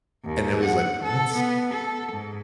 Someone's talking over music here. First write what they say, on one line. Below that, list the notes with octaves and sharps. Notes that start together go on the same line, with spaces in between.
And it was like, "What?"
D#2
F#5
A4
B3
A4
G#2